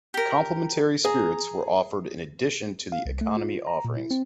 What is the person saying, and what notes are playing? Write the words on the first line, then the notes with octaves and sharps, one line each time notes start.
Complimentary spirits were offered in addition to the economy offerings.
G4 A#4
G#4 A#5
F5
C2
A3
F4
A#5
A#2
E4
C4